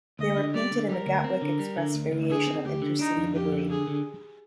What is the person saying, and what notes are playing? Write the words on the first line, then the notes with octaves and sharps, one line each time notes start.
They were painted in the Gatwick Express variation of InterCity livery.
D2 D#5
D3
G3 D5
D3
G3 A#4
D2
C4
D3
G3
D3
D2
D2
D3 G#4
C4
D2 G4
D3
D4 D#4
F2
F2 G4
D3
D3 G#4
D3